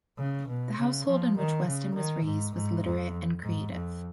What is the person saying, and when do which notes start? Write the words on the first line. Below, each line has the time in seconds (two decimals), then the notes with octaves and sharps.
The household in which Weston was raised was literate and creative.
0.18 C#3
0.48 B2
0.77 C#3
1.07 F3
1.37 D#3
1.66 C#3
1.95 D#3
2.25 G#2
2.54 G#2
2.84 F2
3.43 G#2
3.72 F2